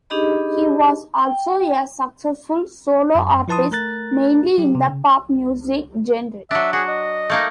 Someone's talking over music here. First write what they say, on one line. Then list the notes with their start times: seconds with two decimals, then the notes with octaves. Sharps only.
He was also a successful solo artist, mainly in the pop music genre.
0.10 D4 D#4 G4 G#4 D#5 B5
1.18 G5
3.15 F#2
3.48 F3 E4 B4 A5 C6 D#6
3.71 A3 A#4 A#5 F#6 A6
4.58 F#3 G4
4.75 C3
4.88 C#3
6.51 F#3 D4 E5
6.73 F#4 G#4
6.88 D#5
7.30 A3 A#3 D#4